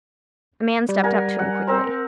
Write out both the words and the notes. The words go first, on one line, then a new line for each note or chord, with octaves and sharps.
A man stepped up to him quickly.
G3
A#4 F#5 G#5
F#5
C4 A#4 C5